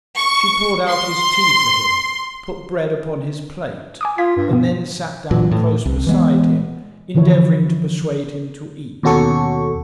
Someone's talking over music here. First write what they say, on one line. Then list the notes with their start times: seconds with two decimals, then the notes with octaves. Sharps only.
She poured out his tea for him, put bread upon his plate, and then sat down close beside him, endeavouring to persuade him to eat.
0.15 C#6
0.88 C6
4.01 G#5 D6 D#6
4.18 F4 F5 G#6 B6
4.36 G2
4.51 B2 B3
5.31 A#2 E3 F#3
5.51 A2
5.86 C2
6.07 E3 G#3 B3
7.14 D3 E3 F3 E4 C#5
9.03 D#2 B2 C#4 F#4 A4 C#6